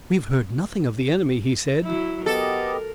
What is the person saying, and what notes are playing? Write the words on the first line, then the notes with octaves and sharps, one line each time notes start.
"We have heard nothing of the enemy," he said.
F#3 E4
B3 G4 A4 A#4 D#5